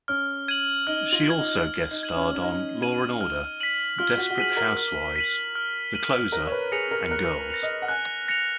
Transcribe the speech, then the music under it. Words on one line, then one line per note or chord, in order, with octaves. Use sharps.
She also guest-starred on "Law and Order", "Desperate Housewives", "The Closer", and "Girls".
C#4 F6
G#6 D#7 F#7
D#4 F6
F4
G#6 D#7 F#7
D#4
F6
D#4
G#6 D#7 F#7
C#4
C#4
D#4 F6
G#6 D#7 F#7
F6
B6 D#7 F#7
F4 F6
F#4
F#4
G#4 B6 D#7 F#7
A#4
F6
B6 D#7 F#7
F6
B6 D#7 F#7
A#4 F#6
C#5
B4
G#4 A#6 C#7 F7
A#4
A#4 F#6
A#6 C#7 F7
D#5
F#5
G#5 F#6
A#6 C#7 F7